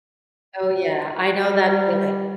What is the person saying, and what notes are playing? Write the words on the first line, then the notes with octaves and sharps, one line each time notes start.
Oh, yeah, I know that feeling,
G3